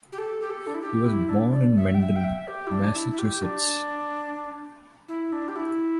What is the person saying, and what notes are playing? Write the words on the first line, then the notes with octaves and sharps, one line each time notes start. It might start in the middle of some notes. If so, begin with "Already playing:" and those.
He was born in Mendon, Massachusetts.
G4
A4
G4
A4
D4
E4
G4
E4
D4
D5
E5
G5
E5
G5
E5
G4
E4
D4
E4
E4
G4
D4
E4
D4
G4
E4